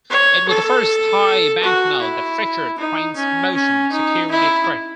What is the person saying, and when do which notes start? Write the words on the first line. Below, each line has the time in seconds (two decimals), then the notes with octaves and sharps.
It was the first Thai banknote that featured Crane's Motion security thread.
0.10 C#5
0.48 A4
1.63 F#4
2.01 E4
2.78 D#4
3.16 C#4
3.54 C#4
3.92 D#4
4.31 E4